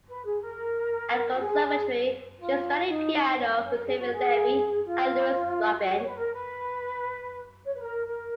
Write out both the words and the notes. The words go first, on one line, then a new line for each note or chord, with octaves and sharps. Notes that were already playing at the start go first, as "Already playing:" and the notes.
At the Conservatory, she studied piano with Heniot Levy and Louise Robyn.
B4
G#4
A#4
F#4
G#4
F4
D#4
C#4
C#4
C#4
A#4
G#4
F#4
G#4
F4
F#4
C#5
B4
A#4
B4
C#5
B4
A#4
A#4